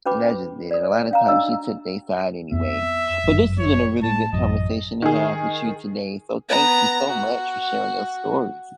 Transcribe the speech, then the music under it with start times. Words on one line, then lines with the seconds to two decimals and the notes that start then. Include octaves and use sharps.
and I just didn't. A lotta times, she took they side anyway, but this has been a really good conversation to have with you today, so thank you so much for sharing your stories.
0.06 C#4 F#4 B4 G5 B5 D6
0.71 D5 D#6
1.11 C#4 F5 A#5
1.28 D4 F#4 D#5 E6
2.52 F2 B3 E5
3.24 G1 F#2
3.59 C#5
4.03 A2 A5
4.33 A1 F#2 D#5
5.02 D#3 G#4
6.49 B3 A#5
7.07 F#4